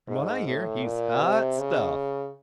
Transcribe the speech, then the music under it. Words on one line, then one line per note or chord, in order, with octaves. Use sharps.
"From what I hear, he's hot stuff!"
G#2
A2
A#2
C3
C#3